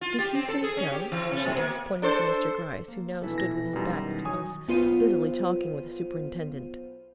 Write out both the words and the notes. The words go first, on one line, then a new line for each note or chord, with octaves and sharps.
"Did he say so?" she asked, pointing to Mr. Gryce who now stood with his back to us busily talking with the Superintendent.
F4
G4
C4
A4
G#4
C#4
G4
E3
C3
B2
A#3
D4 A4 C5
A#3
A#1 B2 E3 E4 A4 E5
A#6
F#2 D#3 G3
F#3 D#4 C#5 G#5 D#6
B1 B3 F4 C5 D#7